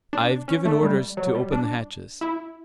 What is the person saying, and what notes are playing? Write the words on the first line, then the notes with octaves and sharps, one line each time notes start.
"I've given orders to open the hatches."
D4
C#4
A3
G3
F#3
G3
D4
E4